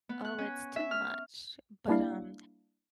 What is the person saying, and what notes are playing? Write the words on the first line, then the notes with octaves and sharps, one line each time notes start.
Oh, it's too much. But, um,
B3
F#6
C#4
E5
F6
G3 A#3 D4 E4 D5 F5